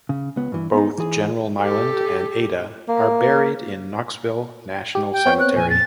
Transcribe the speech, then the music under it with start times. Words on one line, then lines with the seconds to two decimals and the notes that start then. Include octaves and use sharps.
Both General Neyland and Ada are buried in Knoxville National Cemetery.
0.09 C#3
0.36 C#2 B3
0.52 G2 E3
0.73 B3 D#4
0.98 E3 G#4
1.62 G4 A4
2.88 A#3
4.95 G4
5.13 G5
5.26 B3 C4 C#5
5.40 F#6
5.56 F2 A#2 G#5
5.70 A6